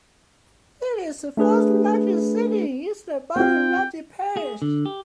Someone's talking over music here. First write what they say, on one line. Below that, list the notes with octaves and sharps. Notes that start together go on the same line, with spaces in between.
It is the fourth-largest city in East Baton Rouge Parish.
A3 D4 G#4 B4
C4 F4 G5
G#4
D3
G4